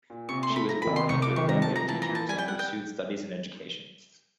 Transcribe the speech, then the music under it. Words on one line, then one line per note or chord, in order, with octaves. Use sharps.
She was born into a family of teachers and pursued studies in education.
A#2
C3 C#6
C6
A3
B5
F3 A#5
B5
C3
C6
C2 C#6
D6
F3
C#6
C3 A#5
A5
F3
A#5
E3 A5
A#5
E3
A5
G3 G#5
G5
G3 F#5
G5